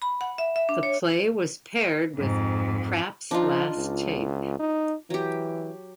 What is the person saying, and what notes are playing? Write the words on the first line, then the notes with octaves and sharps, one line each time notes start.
The play was paired with "Krapp's Last Tape".
B5
F#5
E5
E5
D4
C#5
F2 G#2
F3 D4 D#4 F4
C#2
D#4
E3 F#3 G4